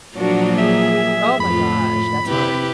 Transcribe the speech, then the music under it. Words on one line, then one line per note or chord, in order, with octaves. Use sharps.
Oh my gosh. That's hard.
A#2 F3 F#3 A#3 D4 F#4
A#3 G#4 E5
F2 A2 F4 B5
C3 E4 G4 B4